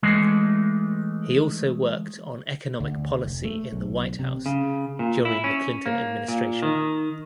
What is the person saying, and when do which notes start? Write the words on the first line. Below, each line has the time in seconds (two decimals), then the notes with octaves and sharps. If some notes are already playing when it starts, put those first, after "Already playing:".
He also worked on economic policy in the White House during the Clinton administration.
0.03 E3 G#3 A3
2.80 D2
3.23 F1
3.45 A3
3.72 B1
4.19 C3
4.46 C#3
4.99 A#2
5.25 E4
5.44 C#4
5.86 A#3
6.28 A#2
6.62 D#3